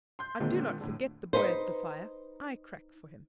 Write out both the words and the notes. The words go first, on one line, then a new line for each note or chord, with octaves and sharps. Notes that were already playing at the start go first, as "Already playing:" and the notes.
I do not forget the boy at the fire; I crack for him.
C6 G6
A#2 D3 D#3 G#3 A#3 C4
A2 D3
D#4 B4 C5